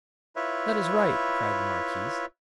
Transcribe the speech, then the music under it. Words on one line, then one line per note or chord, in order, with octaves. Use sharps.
"That is right," cried the marquise.
E4 F4 B4 C#5 E5